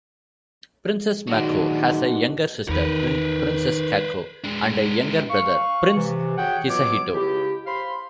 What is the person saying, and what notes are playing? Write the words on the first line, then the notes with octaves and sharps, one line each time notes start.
Princess Mako has a younger sister, Princess Kako, and a younger brother, Prince Hisahito.
A#2 D#3 F#3 G#3 D4 D#4 F#4
E2 D#3 A#4 B4
G#3 D4
F5 C#6
C3 E3
F#4 G#4 C#5 F#5 G5
B2 F#3 B3 F4 C#5 D6
C#2 C#3 E4 G4
C5 F5 B5 C6